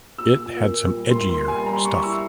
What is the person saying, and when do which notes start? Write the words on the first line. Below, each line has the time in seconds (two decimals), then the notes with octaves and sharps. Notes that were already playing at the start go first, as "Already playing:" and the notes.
It had some edgier stuff.
0.18 A#2 E6
0.38 A#2
0.56 A#3
0.74 A#2
0.93 G3
1.11 A#3 C6
1.29 A#3 C6
1.48 G3 G#5
1.58 C6
1.66 G3 A#5
1.76 C6
1.85 G3 C#6
2.03 E4 E6